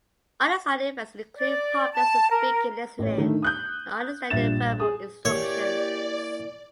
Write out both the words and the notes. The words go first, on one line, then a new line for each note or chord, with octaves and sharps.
Other side effects include problems with speaking, listening, and understanding verbal instructions.
D5
A5
A#4
A1 C#5
D3 D#3 A3
D#6 F#6 G6
A#1 G2 E5 A6 E7
G#4 D#6
A#3 E4 G4 G#4 C#5 D5